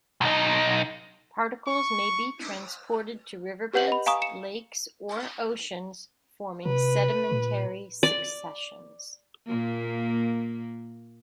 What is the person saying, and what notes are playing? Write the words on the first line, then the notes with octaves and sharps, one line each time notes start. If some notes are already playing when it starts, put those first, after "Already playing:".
Particles may be transported to riverbeds, lakes, or oceans, forming sedimentary successions.
B1 D#4
C#6
G4 B4 F#5 G6 F#7
D#5 B5
F5 G#5 A#5 C#6 D#6
C#7 E7
C3 B4
A#2
D5
A#2 A#3